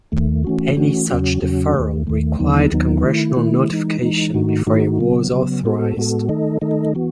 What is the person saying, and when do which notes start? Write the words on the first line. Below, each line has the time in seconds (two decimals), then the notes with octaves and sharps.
Any such deferral required congressional notification before it was authorized.
0.12 D#2 D#3 A3
0.44 E3 A3 C#4 F#4
0.77 E3 A3 C#4 F#4
1.10 E2 C#3 F#3 C#4 F#4
1.42 E2 C#3 F#3 C#4 F#4
1.74 D#2 D#3 A3
2.07 D#2 D#3 A3
2.39 D#2 D#3 F#3 B3 D#4
2.72 D#2 D#3 F#3 B3 D#4
3.04 D#3 A3 E4
3.36 D#3 A3 E4
3.70 E3 G#3 D#4
4.01 E3 G#3 D#4
4.34 G#2 D#3 A3 D#4 F#4
4.67 G#2 D#3 A3 D#4 F#4
4.99 C#3 F#3 B3
5.31 C#3 F#3 B3
5.63 A2 G#3 B3 F#4 A4
5.97 A2 G#3 B3 F#4 A4
6.29 D#3 A3 D#4 A4 D#5
6.61 D#3 A3 D#4 A4 D#5
6.95 E3 B3 F#4